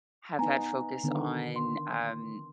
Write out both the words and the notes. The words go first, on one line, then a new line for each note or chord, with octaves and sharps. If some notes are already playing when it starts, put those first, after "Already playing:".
have had focus on, um,
B3 D#4 G#5 A#5
D3 D#3 B3
C6